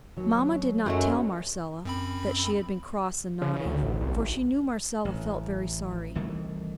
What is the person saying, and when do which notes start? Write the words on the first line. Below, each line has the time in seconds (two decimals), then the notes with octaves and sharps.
Mamma did not tell Marcella that she had been cross and naughty for she knew Marcella felt very sorry.
0.17 D#2 F#3
0.86 F#2 F#3 G#3 A3
1.85 F#2 C4 B5
3.42 C#3
3.54 C#3
3.66 D2
3.82 A1
4.01 C2
4.15 G#1
5.05 A1
6.15 C2 D#3 E3 A3